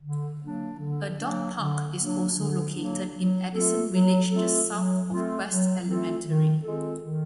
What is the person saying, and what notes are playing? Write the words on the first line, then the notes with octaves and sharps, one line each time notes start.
A dog park is also located in Addison Village just south of Quest Elementary.
D3
F#3 A#3 D4
D3
F#3 A#3 D4
D3
F#3 A#3 D4
D3
F#3 A#3 D4
F#3
A3 C4 F4 A4
F#3
A3 C4 F4 A4
F#3
A3 C4 F4 A4
F#3
A3 C4 F4 A4
D#3
G#3 C4 F4 A4
D#3